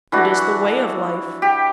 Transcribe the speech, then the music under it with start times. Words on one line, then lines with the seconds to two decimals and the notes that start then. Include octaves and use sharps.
It is the way of life.
0.12 E3 D4 F#4
1.42 G4